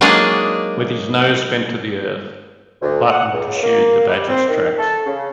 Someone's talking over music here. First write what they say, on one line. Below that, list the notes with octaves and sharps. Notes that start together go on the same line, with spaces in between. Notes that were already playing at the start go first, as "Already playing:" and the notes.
With his nose bent to the earth, Button pursued the badger's tracks.
F#3 G#3 A#3 D4 D#4 G#4
D2
F#5
C#2
A#3
G3
C4
D#3
A4
C#3